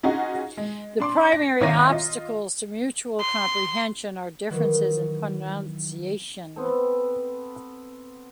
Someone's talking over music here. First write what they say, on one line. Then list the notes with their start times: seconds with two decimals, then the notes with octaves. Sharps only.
The primary obstacles to mutual comprehension are differences in pronunciation.
0.03 C#4 D#4 F4 F#4 G#4
0.57 G#3
1.00 D4 C6 D6
1.32 A#6
1.61 G#1 D#3 C#5 E5 A#6 D#7
1.90 F4 D#5
3.20 C6
4.50 D#3 E3 F#3
6.56 B3 C4 A4